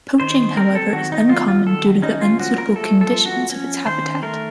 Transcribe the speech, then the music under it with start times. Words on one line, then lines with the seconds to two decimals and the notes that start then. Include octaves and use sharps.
Poaching, however, is uncommon due to the unsuitable conditions of its habitat.
0.20 D#3 C5
0.56 C4 A#4
0.75 A4
0.92 D#3 F#4
1.12 D#4
1.29 F#3 F4
1.48 F4
1.66 D#3 A4
2.02 C#4 D#4
2.21 F4
2.39 F3 F#4
2.58 A#4
2.76 A3 A4
3.01 A4
3.12 F3
3.25 F#4
3.50 C#4
3.86 D#3 C5
4.22 A3 A#4